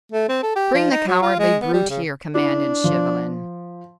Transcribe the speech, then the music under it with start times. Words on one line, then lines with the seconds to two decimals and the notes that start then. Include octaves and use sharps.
"Bring the cowardly brute here," commanded Chauvelin.
0.12 A3
0.29 C4
0.43 A4
0.56 G4
0.74 F3
0.91 D#4
1.07 F#3
1.22 F4
1.39 G#3
1.62 B3
1.73 G3
1.90 C#3
2.35 D4 E4
2.84 F3